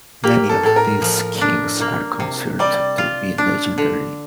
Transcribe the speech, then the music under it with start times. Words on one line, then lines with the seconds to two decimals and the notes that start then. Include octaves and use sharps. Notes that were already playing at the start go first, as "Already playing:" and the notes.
Many of these kings are considered to be legendary.
0.24 A#3 G4
0.49 A4
0.63 A2 A4
0.76 A#4
1.02 F3
1.41 D4
1.81 A#3
2.20 C3
2.59 G3 D5
2.98 F4
3.38 D4
3.78 D3